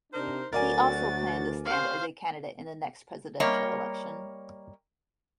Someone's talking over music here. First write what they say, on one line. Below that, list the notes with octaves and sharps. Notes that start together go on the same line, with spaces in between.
He also planned to stand as a candidate in the next presidential election.
C3 D4 D#4 A#4 C5
D2 F#3 F#4 A#4 D5 G#5 A6
C4 C#4 G4 C5 F5
G3 A#3 C#5 D#5